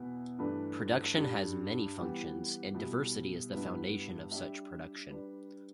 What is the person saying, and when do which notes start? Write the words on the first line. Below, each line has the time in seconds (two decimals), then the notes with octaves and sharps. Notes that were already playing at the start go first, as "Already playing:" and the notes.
Production has many functions, and diversity is the foundation of such production.
Already playing: E2 B2 B3 E4 B4
0.39 G2 E3 A3 D4 B4
1.17 G2 G3 D4
1.96 E3 G3 B3 G4
2.74 B2 G3 E4
3.53 G2 G3 B3 E4 B4
4.31 G3 D4 G4 E5
5.10 G3 D4 B4 D5